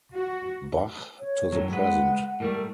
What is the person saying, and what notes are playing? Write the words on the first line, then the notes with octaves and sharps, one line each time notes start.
Bach to the present.
F#4
C#5
F#2 A2 F#3
G#3 B4 F#5
F#5
A2 G3 A3 A#4